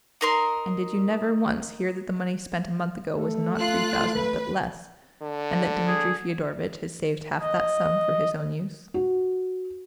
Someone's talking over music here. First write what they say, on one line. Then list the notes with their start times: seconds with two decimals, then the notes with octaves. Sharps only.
"And did you never, once, hear that the money spent a month ago was not three thousand, but less, and that Dmitri Fyodorovitch had saved half that sum for his own use?"
0.21 D#4 A#4 C6
3.16 A3
3.58 F4 F#6
4.16 B4
5.22 D3
5.88 G#4
7.40 D#5
8.94 F#4